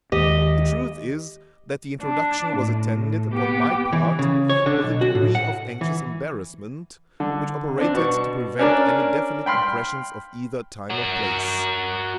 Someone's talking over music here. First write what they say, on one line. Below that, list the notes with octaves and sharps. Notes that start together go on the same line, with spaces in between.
The truth is--that the introduction was attended, upon my part, with a degree of anxious embarrassment which operated to prevent any definite impressions of either time or place.
D#2 D#3 G#3 G4 D#5
D4
A2
B3 G4
E3
C#3
C#5
D3
B1
F#4
A2
F#5
E3
D3
C4 D4
B2 C#6
C#4 D4 A#4 D5
G5 B5 C6 F6
F#4 A#4